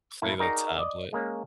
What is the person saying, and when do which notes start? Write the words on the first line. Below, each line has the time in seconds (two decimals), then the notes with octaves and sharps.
play the tablet.
0.22 A2 A#3 E4
0.40 D#4 F#4 G#4 A#4 D5
0.78 D5 D#5
1.13 G#3 A#3 C#4